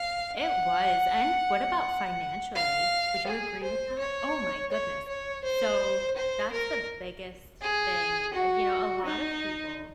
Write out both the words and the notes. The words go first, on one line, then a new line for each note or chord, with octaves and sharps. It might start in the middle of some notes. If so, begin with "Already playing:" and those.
It was. And what about financially? Would you agree with that? Oh, my goodness. So, that's the biggest thing. You know, a lot of people
Already playing: F5
F#5
F5
G#4
C5
C#5
C#5
C#5
C5
C5
A#4
G#4
F#4
D#4